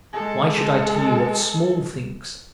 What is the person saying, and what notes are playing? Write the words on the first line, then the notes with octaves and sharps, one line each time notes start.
Why should I tell you of small things?
G#3 A4